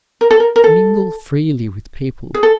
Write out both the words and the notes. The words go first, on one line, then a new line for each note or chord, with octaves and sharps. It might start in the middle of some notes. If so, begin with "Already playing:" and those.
Mingle freely with people.
A#4
A4
A#4
A#4
A4
G#4
A4